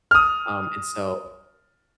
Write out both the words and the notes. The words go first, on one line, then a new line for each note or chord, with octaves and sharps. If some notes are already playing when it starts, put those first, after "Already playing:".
um, and so
D#6 F6